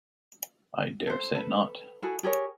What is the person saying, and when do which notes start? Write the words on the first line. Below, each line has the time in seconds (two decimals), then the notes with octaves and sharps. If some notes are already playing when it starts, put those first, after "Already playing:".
I dare say not.
1.07 A4 C5
1.35 A4 B4
2.02 E4 F#4 G#4 A4
2.23 G4 G#4 A#4 C#5